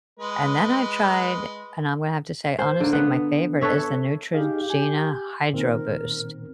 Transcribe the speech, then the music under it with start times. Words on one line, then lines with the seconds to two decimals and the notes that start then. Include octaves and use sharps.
and then I've tried and I'm gonna have to say honestly my favorite is the Neutrogena Hydro Boost,
0.20 G#3 B4
2.58 C5
2.80 D3 A#3
2.93 B3 F#5
3.61 A4 B4 C#5 E5
4.34 D#4 G4 G#4 F5
4.70 G#5
5.53 A#2 D#3 C4 A#4